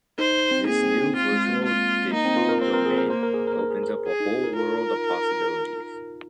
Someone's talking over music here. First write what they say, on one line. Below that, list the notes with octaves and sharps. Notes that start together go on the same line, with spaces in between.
This new virtual digital domain opens up a whole world of possibilities.
D#4 C5
C4
A#3 G#4
C4
C4
C4 F4
G#3
A#3
F4
A#3 D#4
C4
F4
A#4
C4 C5
A#4
G#4
A#4
A#3 C5
A#4
G#4
A#4
A#4
G#4
A#4
G#4
D#4
F4
A#4
F4 A#4